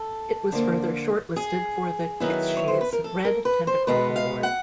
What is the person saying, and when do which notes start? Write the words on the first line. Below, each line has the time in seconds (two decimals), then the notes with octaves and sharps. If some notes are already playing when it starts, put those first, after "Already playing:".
It was further shortlisted for The Kitschies Red Tentacle award.
Already playing: A4
0.52 D3 F3 A#3
1.36 G#4
2.20 D#3 F#3 B3 E4
2.57 C#5
2.68 C5
2.81 B4
2.93 A#4
3.04 A4
3.25 A#4
3.45 B4
3.67 C5
3.87 B2 G#3 B3 B4
4.16 F5
4.43 F#5